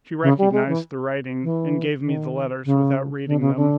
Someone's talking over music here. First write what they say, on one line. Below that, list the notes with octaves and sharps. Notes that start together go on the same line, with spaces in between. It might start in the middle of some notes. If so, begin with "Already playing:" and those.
She recognised the writing and gave me the letters without reading them.
C#3
G3
G#3
E3
E3
D#3
C#3
D3
C#3
D3